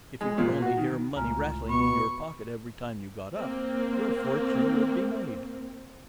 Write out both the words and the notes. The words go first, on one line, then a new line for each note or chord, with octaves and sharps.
"If you could only hear money rattling in your pocket every time you got up, your fortune would be made."
G#3
A#2
F#4
D#3
C#2 A2 F4 G#5 A#5 F6
B2 B5 C#6
A#3 C4